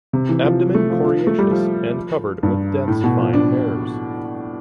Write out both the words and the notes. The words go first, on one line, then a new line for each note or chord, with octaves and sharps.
Abdomen coriaceous and covered with dense fine hairs.
C3
E3
F3
A3
F3
F3
A3
G3
F3
G2
A2
B2
F3
D4